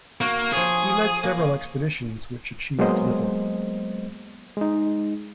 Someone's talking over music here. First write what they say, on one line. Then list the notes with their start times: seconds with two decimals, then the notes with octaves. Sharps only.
He led several expeditions which achieved little.
0.21 A#3 F#4
0.52 F3 G#4 C#5
1.23 A#3
1.38 C#3
2.79 F#3 G#3 A#3 B3 C5 D#5
4.57 G#3 D#4